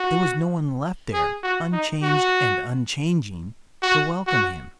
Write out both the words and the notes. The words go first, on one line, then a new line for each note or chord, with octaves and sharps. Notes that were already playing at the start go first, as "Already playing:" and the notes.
There was no one left there, unchanged and unchanging, to welcome him.
Already playing: F#4
G#4
F#4
D#4
F#4
F#4
F#4